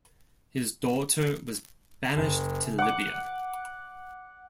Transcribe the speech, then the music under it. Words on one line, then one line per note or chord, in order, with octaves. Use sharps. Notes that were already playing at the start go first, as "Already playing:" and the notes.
His daughter was banished to Libya.
F#1
F#5 D6